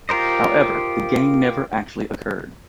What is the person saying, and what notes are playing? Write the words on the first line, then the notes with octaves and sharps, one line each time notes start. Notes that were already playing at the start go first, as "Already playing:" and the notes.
However, the game never actually occurred.
F4 G4 A#4 C5 D#5